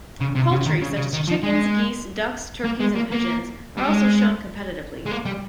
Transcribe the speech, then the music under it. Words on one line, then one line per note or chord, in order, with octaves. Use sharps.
Poultry such as chickens, geese, ducks, turkeys and pigeons are also shown competitively.
C#3
C3
C#3
D#3
C#3
C#3
D#3
F3
G#3
A#3
G#3
A#3
A#3
G3
G#3
G#3
A#3
G3